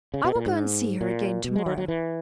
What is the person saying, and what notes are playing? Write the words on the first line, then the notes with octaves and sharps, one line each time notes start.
I will go and see her again to-morrow.
C#3
B2
A#2
G#2
A#2
B2
G#3
F#3
F#3
E3